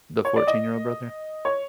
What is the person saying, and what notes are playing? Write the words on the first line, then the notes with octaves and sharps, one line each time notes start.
the fourteen-year-old brother?
C#5
D5
D#5
C#5